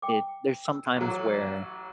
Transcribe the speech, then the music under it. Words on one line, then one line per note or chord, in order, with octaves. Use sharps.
it there's sometimes where,
G5 D6
E6
A1 F#3